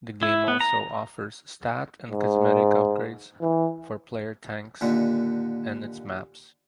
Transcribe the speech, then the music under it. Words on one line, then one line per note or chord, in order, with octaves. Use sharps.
The game also offers stat and cosmetic upgrades for player tanks and its maps.
E4
B3
A#5
G#2
E3
D#2 A#2 D3